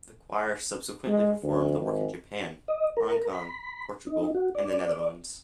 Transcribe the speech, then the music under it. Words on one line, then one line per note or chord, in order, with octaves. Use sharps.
The choir subsequently performed the work in Japan, Hong Kong, Portugal, and the Netherlands.
G#3
D2
G#1
D#5
A#4
B5
D#4
F#4
D5